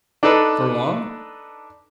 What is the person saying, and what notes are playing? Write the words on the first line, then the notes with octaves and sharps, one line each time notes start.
"For long?"
D4 D#4 A4 B4